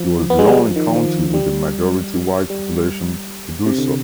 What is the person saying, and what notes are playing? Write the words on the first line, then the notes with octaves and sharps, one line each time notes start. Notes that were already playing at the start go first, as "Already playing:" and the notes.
It was the only county with a majority white population to do so.
Already playing: F3
B3
G#3
G3
F3
D#3
F3
G3
G3
C3
D3